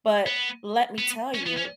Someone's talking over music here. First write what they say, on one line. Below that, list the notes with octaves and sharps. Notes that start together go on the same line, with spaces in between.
but let me tell you,
B3
B3
C#4
B3
C#4